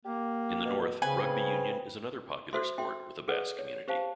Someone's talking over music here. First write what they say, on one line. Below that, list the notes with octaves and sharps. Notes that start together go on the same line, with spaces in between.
In the north, rugby union is another popular sport with the Basque community.
A#3 G4
B2
C#3 C4 B4 G#5
F#4 A4 C5 E5 C6
E5 G5 C6
G#4 A4 B4 D5 F#5
C#5
G4 C5 F5 A5